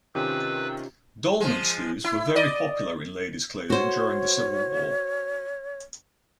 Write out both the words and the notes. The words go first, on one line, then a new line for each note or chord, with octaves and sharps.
Dolman sleeves were very popular in ladies clothing during the Civil War.
C3 D#3 C#4 F4 G4 B4 E6
F3 G#3
E4
D5 D#5
F#4 C5 C#5